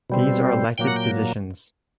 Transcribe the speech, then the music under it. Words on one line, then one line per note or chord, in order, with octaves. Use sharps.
These are elected positions.
B2 G3 C4
A#2 F#3 A#3 G5
F#5
G5